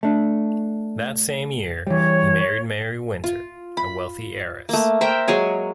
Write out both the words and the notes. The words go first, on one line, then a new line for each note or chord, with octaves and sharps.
That same year, he married Mary Wynter, a wealthy heiress.
A3 D4
E3 G3 C#5
F4
B5
A3 A#3
A#4 C5 E5 G5
F#3 G#3 G#4 C#5